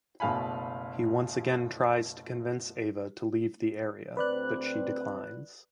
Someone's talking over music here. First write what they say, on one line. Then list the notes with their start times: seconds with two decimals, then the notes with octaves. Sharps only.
He once again tries to convince Ava to leave the area but she declines.
0.20 F#1 B2 A3 F5 G#5 B5
4.17 D2 C4 B4 D5 F#6